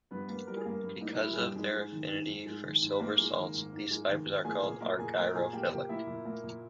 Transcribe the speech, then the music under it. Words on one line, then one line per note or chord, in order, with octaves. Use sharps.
Because of their affinity for silver salts, these fibers are called argyrophilic.
G2 B3 B4
A#3
G3 A#4
G#4
G2 A#3 A#4
G2
A#3 D#4
D#4
G3 E4
G#4
G2 G3 G4
G#2 G#3 G#4
G#3
D#3
G#2
G#2
G#3
D#3
G#2
B4
G#2 A#3 A#4
G#3
D#3
G#2
G#2
G#3
D#3
G#2
A#3 G#4 G#5
A#2 G#4 G#5
A#3 A#4 A#5
A#2 G#4 G#5
A#3 A#4 A#5
A#2 G#4 G#5
A#3 G4 G5
A#2 G4 G5
A#3 E4 E5
A#2
A#3
A#2